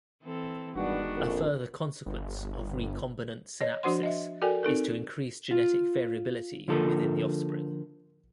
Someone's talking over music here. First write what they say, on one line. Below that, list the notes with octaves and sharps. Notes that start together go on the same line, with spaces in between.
A further consequence of recombinant synapsis is to increase genetic variability within the offspring.
E3 C4 A4
F1 G2 D#3 G#3 B3 D4 F#4
A#1 F2 A#4
G1
C#5 D#5
F3 D4 F#4 C5 F#5 C6
D#5 E5
F#4 A4 A#4 D5 G5 G#5
C4 D#4 A4 A#4
F4
D3 F3 A#3 D#4 A4